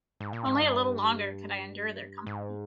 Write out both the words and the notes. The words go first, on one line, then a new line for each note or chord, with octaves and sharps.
Only a little longer could I endure their company.
G#2
A#2
G#2
G2
G#2